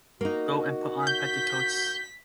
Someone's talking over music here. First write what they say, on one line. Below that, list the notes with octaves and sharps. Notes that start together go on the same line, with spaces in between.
Go and put on petticoats.
A#3 D#4 F#4
G6 B6